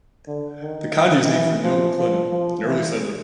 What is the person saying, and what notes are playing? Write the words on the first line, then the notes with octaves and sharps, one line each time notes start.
The county is named for Neil McLennan, an early settler.
D3
D#3
E3
F3
F3
F3
E3